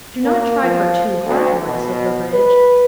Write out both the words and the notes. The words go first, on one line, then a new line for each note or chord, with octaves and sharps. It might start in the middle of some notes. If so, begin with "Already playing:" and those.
Do not try her too hard, Lord Silverbridge.
A#3
F3
D2
B2
B4